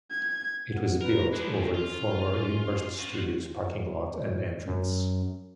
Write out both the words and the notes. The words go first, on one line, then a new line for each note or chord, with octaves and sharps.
It was built over the former Universal Studios parking lot and entrance.
G#6
F#5
A#4 B4
G#3 D4
C#4 F4
F4 F#4
F#2